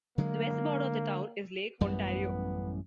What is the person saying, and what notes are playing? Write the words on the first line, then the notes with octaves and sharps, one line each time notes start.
The west border of the town is Lake Ontario.
D3 F#3 G#3 A#3
A1 F#2 G3 B3